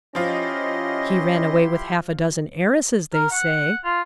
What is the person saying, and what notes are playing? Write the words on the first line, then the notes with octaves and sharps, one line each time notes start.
He ran away with half-a-dozen heiresses, they say.
F3 C#4 E4 F4 G4 D#5 C6
A#4
F#5
F4